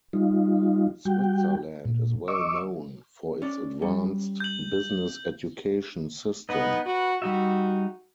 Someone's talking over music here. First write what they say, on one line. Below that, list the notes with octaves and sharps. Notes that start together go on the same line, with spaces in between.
Switzerland is well known for its advanced business education system.
G3 D#4 F4
G3 F#4 G5
A#2
D#5 C#6 D6 E6
C#4 D5
G3 C#4
G6 F#7
B3 D#4 B4 D#5
F#4 B4
G3 D#4 F#4 E5